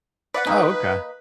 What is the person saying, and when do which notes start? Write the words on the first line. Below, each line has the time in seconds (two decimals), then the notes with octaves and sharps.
Oh, okay.
0.34 B4 D5 F5 F#5
0.47 D#3 A#3 D#4